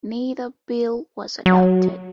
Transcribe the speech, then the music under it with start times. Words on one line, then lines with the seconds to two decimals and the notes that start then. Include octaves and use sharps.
Neither bill was adopted.
1.46 F#3